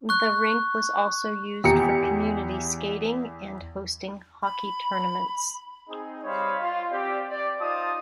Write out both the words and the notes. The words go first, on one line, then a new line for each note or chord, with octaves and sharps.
The rink was also used for community skating and hosting hockey tournaments.
C#6 F#6
E2 G4 A#5 C#7
B5
C4 D#4 G#4
G3 C5 C#5 D#5 F5 B5
F4
C4 G4 D5
D5
D#4 F4 C5 D#5 A5 D#6